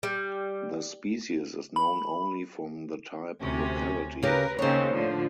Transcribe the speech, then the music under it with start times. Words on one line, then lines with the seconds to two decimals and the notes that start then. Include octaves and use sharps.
The species is known only from the type locality.
0.03 G3
1.76 B5
3.40 D2 C3 C#4
4.23 C#3 G4 A#4 B4 A#5
4.59 D#2 C#3 C4 C5 C#5
4.92 A2 D3 F3